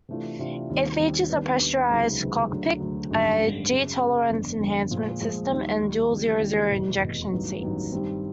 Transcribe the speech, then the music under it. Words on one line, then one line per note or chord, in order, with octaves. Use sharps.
It features a pressurized cockpit, a G-tolerance enhancement system and dual zero-zero ejection seats.
C3 E3 A3 D4 F4
C3 E3 A3 D4 F4
D#2 D#3 G3 C4
D#2 D#3 G3 C4
D#2 D#3 G3 B3 D4
D#2 D#3 G3 B3 D4
C#2 C3 D#3 F#3 B3
C#2 C3 D#3 F#3 B3
D2 D3 F#3
D2 D3 F#3
G#1 F#2 D3 G3
G#1 F#2 D3 G3
F#2 C#3 F#3
F#2 C#3 F#3
G1 F2 D3
G1 F2 D3
A#2 F3 G#3
A#2 F3 G#3
D#2 D#3 G3
D#2 D#3 G3
D#2 C#3 E3 G3
D#2 C#3 E3 G3
F1 E2 B2
F1 E2 B2
A1 G2 D#3 F#3 B3
A1 G2 D#3 F#3 B3
G2 D#3 G3 C4